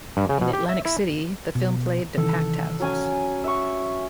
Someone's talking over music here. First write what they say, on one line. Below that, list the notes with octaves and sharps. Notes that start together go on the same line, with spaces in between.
In Atlantic City, the film played to packed houses.
G2
C#3
B2
G4
E5
E4
B2
C3 D#3 E3 A4
F#3 C#4 G#5
E5 F#5 C#6